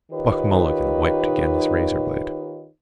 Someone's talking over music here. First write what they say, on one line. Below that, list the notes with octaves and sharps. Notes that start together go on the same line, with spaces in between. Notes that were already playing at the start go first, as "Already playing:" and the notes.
Buck Mulligan wiped again his razorblade.
D#3 D#4 F4 G4 B4 C#5